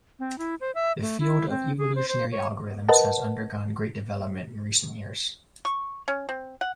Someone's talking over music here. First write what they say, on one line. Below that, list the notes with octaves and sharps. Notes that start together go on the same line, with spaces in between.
The field of evolutionary algorithms has undergone great development in recent years.
C4
E4
C5
E5
A3
E4
C4
G#4
C5
C5
C#5
A#4 B4 D#5 F#5 A5
C#6
C#4
C4
F#5